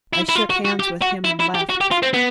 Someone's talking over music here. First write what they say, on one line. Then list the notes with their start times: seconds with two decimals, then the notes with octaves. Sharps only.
I shook hands with him and left.
0.13 E4
0.29 E4
0.35 F4
0.50 F#4
0.65 F#4
0.80 G4
1.02 F#4
1.24 E4
1.40 E4
1.54 G4
1.69 F#4
1.81 G4
1.92 F4
2.03 C4
2.14 B3